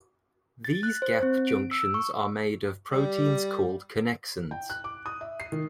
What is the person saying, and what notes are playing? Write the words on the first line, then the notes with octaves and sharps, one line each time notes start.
These gap junctions are made of proteins called connexins.
A6
F#6
C5
C4
D7
E6
C#6
G3
G5
F#6
D6
D#6
E5
C7
D#3